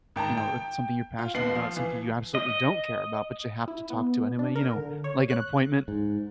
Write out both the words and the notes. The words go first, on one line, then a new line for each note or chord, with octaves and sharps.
uh, you know, something you're passionate about, something you absolutely don't care about, but you have to talk to anyway, you know? Like an appointment
G#1 G5 A5 A#5
G5
F4
D#2 B3 C7 F#7
F3 F5
E3
D#5
E4
B3
D4
A#4
D3
C#5
F#6
G#2